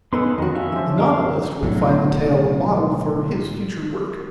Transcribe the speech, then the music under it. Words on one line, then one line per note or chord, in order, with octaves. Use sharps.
The novelist will find the tale a model for his future work.
B3 C#4 D#4 A4 B4 C6
F2 D#3 F#4
C#4 E5 F5
E3 F3
F#2 A#4 F5
B1 A2 F#3 D4